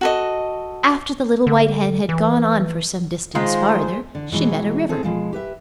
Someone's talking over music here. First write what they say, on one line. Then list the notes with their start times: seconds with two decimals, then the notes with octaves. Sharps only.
After the little white hen had gone on for some distance farther she met a river.
0.01 F#4 A4 D#5
1.47 D3
2.09 E3
3.35 D#3 G#3 F4 G#4 C5
4.15 D3
4.32 B2 E3 F#3 G#3
4.89 C4 G#4 A4
5.03 B2 F3 G#3
5.33 G4 B4 E5